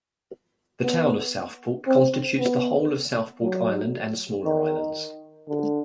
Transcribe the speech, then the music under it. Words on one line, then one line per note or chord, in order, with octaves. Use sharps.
The Town of Southport constitutes the whole of Southport Island and smaller islands.
B3
C4
B3
F#3
D#3
D3